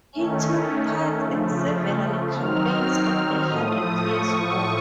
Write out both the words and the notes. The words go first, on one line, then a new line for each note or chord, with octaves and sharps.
He took part in several campaigns of the Hundred Years War.
D#3 A3 C#4
C#3 F3 A3
D#3 F#3 C4 D#4 F6
A2 F3 A3 D#6
C#6